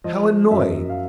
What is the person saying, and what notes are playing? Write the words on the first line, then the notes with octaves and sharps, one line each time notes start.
'How annoying!
F3 D#5
F#2 E5
F5